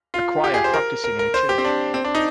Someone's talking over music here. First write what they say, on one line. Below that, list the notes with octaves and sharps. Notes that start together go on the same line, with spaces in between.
A choir practicing in a church.
F4
G4
G#4
C5
A#4
A#4
A#4
C5
G4
C4
D4
C4
D4
D#4